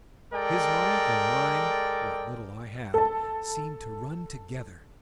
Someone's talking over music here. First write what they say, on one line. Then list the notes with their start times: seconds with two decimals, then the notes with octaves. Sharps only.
His mind and mine--what little I had--seemed to run together....
0.32 G#3 A4 A#4 D5 G5
2.94 A4 A5